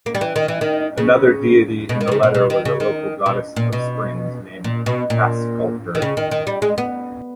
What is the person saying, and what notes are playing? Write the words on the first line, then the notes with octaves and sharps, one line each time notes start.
Another deity in the letter was a local goddess of springs named Kaskalkur.
A#3
G3
E3
D#3
E3
D#3
C#3
B2
D#3
B2
C#3
B2
B2
D#3
C#3
D#3
B2
A#2
B2
A#2
B2
A#2
D#3
C#3
D#3
D#3
G3
G#3
B3